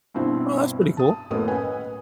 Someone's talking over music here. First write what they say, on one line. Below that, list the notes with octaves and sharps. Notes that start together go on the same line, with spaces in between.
Oh, that's pretty cool.
G2 B2 C4 E4
A5 D#6
F#2 A2 A#3 B3 D#5 D#6
B4 D#5 F#5 G#5